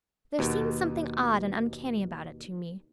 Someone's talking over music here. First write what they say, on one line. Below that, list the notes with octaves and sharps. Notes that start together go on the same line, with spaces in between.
There seemed something odd and uncanny about it to me.
D#2 B2